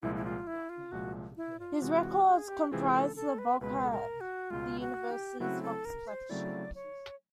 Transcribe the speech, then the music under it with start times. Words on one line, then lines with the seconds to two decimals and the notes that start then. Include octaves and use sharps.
His records comprise the bulk of the university's Fox Collection.
0.02 C2 A#2 F3 G#3 E4
0.15 E4
0.25 F4
0.47 E4
0.69 F4
0.92 C2 A#2 F3 G#3 F#4
1.37 E4
1.60 F4
1.82 C3 E3 G#3 C4 F4 F#4
2.26 G4
2.37 G#4
2.48 G4
2.71 C3 E3 G#3 C4 F4 G#4
2.94 A4
3.16 A4
3.38 B4
3.61 C#2 B2 G#3 B4
3.84 A4
3.91 A#4
4.21 F#4
4.50 C#2 B2 G#3 F4
4.81 F#4
5.11 G4
5.40 C#3 F#3 A3 C4 E4 F#4
5.62 A4
5.85 A#4
6.08 C5
6.29 C#3 F#3 A3 C4 E4 D5
6.75 C#5